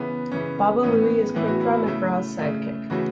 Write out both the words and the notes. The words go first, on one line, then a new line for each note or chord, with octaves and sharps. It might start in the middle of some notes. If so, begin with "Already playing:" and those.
Baba Looey is Quick Draw McGraw's sidekick.
Already playing: C#3 E3 B3
C#3 E3 B3 C#4
A2 E3 B3 C#4
A2 E3 B3 E4
F#4
E4
E4
C#3 A3 E4
C#3 A3
C#3 E3 A3 F#4